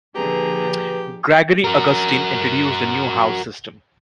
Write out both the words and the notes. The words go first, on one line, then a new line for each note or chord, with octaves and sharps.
Gregory Augustine introduced a new House System.
A#2 D3 F3 G4 G#4 B4 A#5
F#4 A#4